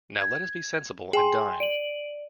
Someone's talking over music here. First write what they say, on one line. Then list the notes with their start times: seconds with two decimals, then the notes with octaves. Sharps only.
Now let us be sensible and dine.
0.21 G#6
1.13 G#4 G5 G#5 C6
1.60 D5 D7 D#7 F#7